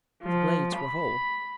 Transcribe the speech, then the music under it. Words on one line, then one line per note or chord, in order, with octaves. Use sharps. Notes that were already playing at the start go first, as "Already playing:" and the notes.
The blades were whole.
F3
B5